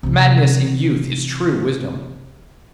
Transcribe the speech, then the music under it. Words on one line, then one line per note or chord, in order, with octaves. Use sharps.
'Madness in youth is true wisdom.
C3 E3